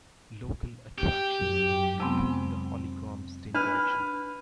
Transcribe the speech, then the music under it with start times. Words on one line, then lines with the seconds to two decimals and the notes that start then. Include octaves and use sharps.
Local attractions include the Hollycombe Steam Collection.
0.98 G4
1.41 F#2
2.00 F2 C3 F#3 G#3 B3 C4
3.54 D4 B4 F6